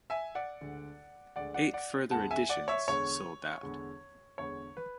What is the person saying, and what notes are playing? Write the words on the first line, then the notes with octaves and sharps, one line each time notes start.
Eight further editions sold out.
E5 G#5
D5 F#5
D2 D3 G#3
D2 D3 G#3 D5 F#5
D5 F#5
D5 F#5
E2 D3 G#3 F#5 A5
E5 G#5
D5 F#5
C#5 E5
E2 D3 G#3 C#5
E2 D3 G#3
E2 D3 G#3 C#5
B4